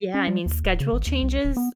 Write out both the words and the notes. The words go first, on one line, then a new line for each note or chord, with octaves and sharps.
Yeah, I mean, schedule changes,
C#4
G3
D#2
D1
C#3
G#1
D#2
C2
D#1
B3